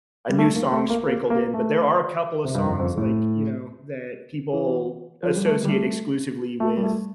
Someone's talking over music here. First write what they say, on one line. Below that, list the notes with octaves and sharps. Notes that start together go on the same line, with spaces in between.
a new song sprinkled in, but there are a couple of songs, like, you know, that people associate exclusively with,
G3
A3
A#3
A3
A#3
A#3
A#3
A3
C3
G2
F2
F2
A2
E3
F3
G3
A3
G3
A3
A3
G3
A3